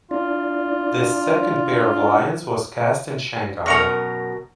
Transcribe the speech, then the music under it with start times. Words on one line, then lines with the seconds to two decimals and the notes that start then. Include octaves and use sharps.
This second pair of lions was cast in Shanghai.
0.11 D4 E4 F4 D5
3.66 F#2 B2 A#4 A#5 C#6 F6